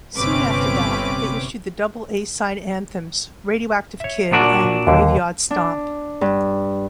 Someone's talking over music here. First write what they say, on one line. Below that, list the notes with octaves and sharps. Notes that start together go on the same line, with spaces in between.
Soon after that, they issued the double A-side anthems "Radioactive Kid" and "Graveyard Stomp".
G1 C3 C4 C#4 B4 D6
C#5 E5
A#2 D4 F#4
D#2 D3
D4
G2